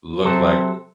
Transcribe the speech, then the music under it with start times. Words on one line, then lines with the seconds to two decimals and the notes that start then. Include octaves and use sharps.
look like
0.25 C3 F#3 A4 C5